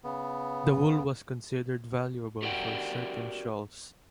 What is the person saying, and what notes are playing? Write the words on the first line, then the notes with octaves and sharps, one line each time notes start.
The wool was considered valuable for certain shawls.
C#3 B3
F#4 G4 A#4 D5 F#5 G5